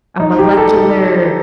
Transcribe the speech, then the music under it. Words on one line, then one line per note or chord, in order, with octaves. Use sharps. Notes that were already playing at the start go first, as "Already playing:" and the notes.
a molecular
D#4
G4
A4
G4